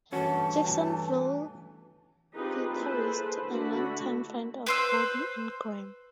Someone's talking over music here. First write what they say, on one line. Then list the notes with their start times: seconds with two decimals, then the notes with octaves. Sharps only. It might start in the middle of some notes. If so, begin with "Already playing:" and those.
Jacksonville guitarist and longtime friend of Bobby Ingram.
0.12 G2 B2 E3 A3 C#4 F#4 A5
2.36 C4 D#4 F4 G4 G#4 B4
2.73 A#3 E4 G#4 A4 B4 C5
3.46 D3 A3 D4 E4 F#4 B5
4.66 B4 C5 E6